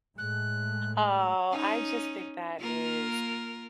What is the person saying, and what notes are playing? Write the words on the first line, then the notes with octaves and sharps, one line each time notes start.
Oh, I just think that is
A2 G#3 A3 F#6
C#4 D#4
A#3 F4 A#4